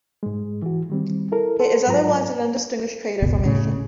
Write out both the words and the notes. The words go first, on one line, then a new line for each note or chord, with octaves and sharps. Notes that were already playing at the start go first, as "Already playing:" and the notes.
It is otherwise an undistinguished crater formation.
G#2 G#3
E3 F#4
D#3 G3 C4
E4 A4 A#4
A4 C5 F#5
G#2 F#3 F4 A#5
F#1 C#2 B2
A2 C#3